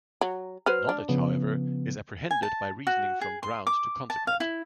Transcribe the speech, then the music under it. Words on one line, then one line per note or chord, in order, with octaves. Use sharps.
Knowledge, however, is apprehended by reasoning from ground to consequent.
F#3
F#3 B4 C5 F6
D4
C#3 F3 B3
G#5
A5
F#4
G#4
C6
D6
A5
F5
E4